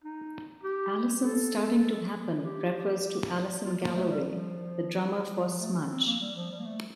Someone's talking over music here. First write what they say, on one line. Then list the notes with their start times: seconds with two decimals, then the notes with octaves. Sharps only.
"Alison's Starting to Happen" refers to Alison Galloway, the drummer for Smudge.
0.04 D#4
0.63 G4
1.24 A4
2.45 G4
3.65 F4
3.81 A#3
3.95 A3
4.10 G3
4.26 F3
5.46 F3
5.61 A3
5.91 C4
6.06 A#3
6.21 G3
6.36 F3
6.51 G3
6.60 A#3
6.66 A3